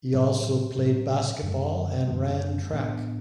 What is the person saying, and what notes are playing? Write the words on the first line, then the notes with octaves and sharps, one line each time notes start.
He also played basketball and ran track.
A2 F#3 C#4
A2 F#3 C#4
F#2 D3 G#3
F#2 D3 G#3
A2 E3 B3 D4